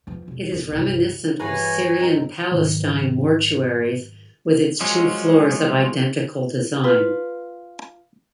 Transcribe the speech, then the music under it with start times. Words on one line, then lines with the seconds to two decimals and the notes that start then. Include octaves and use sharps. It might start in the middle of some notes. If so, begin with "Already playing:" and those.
It is reminiscent of Syrian-Palestine mortuaries with its two floors of identical design.
0.07 E2 F3
0.28 E1
0.52 F#1
0.72 C2 G2
1.04 C#2
1.40 G2 E3 F#4 G#4 B4 C#5 G#5 A#5
1.99 F#3 C4 D#4 A#4
2.52 G#2 D#3 F#3
4.81 F3 F#3 G#3 C#4
6.84 F4 B4